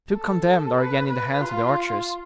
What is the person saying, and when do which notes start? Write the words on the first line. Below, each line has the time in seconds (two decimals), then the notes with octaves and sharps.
The two condemned are again in the hands of the archers.
0.14 A4
0.78 B4
1.10 B4
1.41 F4